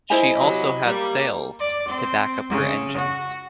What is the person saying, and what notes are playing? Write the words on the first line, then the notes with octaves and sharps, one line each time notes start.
She also had sails to back up her engines.
E4 C5 D#5 G#5 B5
C3 F#3
G3 A#3
D5
C4
C#3
F#4